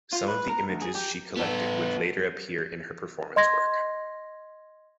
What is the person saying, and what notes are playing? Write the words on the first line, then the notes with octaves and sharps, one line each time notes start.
Some of the images she collected would later appear in her performance work.
F4
B4
A#4
D2
G#4
G4
B3 A4
D#5 C6 G#6 A#6